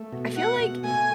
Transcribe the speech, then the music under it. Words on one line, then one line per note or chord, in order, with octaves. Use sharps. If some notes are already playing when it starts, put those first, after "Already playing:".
I feel like
Already playing: A3
B2
A3 F#5
B2
A3 G#5